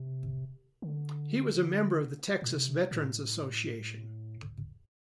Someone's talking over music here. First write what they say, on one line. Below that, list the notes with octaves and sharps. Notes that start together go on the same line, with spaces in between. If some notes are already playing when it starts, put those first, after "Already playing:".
He was a member of the Texas Veteran's Association.
Already playing: C3
D3
A2
C3
A2